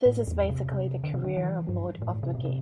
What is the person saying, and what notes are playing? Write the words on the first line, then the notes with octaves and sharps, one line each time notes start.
This is basically the career mode of the game.
A2
E2
C3
C3
D3
C3
D3
E3
G2
A2
C3
B2
C3